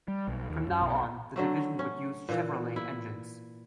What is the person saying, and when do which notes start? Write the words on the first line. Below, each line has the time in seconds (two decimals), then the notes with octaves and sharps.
From now on, the division would use Chevrolet engines.
0.08 G3
0.28 B1
0.50 D#2
0.68 F#2
0.82 B1
1.36 D3 F#3 A3
1.79 C#4
2.29 A#2 E3
2.76 E4